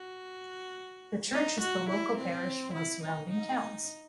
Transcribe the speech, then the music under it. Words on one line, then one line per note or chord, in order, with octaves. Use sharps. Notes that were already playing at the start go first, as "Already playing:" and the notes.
The church is the local parish for the surrounding towns.
Already playing: F#4
D#4
F#4
E4
C4
E4
D#4
D#4